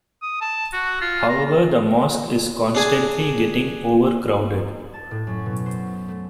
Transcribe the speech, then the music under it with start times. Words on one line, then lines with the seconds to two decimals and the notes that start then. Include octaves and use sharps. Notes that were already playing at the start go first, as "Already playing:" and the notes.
However the mosque is constantly getting overcrowded.
0.22 D#6
0.41 A5
0.73 F#4
1.01 F4
1.29 A#5
2.75 D4 G#4 G#5
4.93 A5
5.11 A2
5.27 F#2
5.46 B2
5.66 C5
6.08 A3